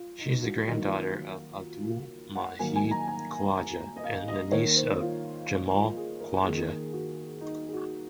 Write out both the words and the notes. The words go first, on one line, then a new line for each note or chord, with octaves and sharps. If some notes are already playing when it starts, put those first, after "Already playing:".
She is the granddaughter of Abdul Majeed Khwaja and the niece of Jamal Khwaja.
Already playing: F4
D#4
F#4
D#3 F#3 A#3 D#4
F4
F#4
F#5
D#3 F#3 A#3 G#5
G#5
A#5
G#5
D#5
F5
D#5
D#3 A#3 C#5
C5
F4
G#4
A#4
D#3 A#3 G#4
F#4
D#4
G#4
F#4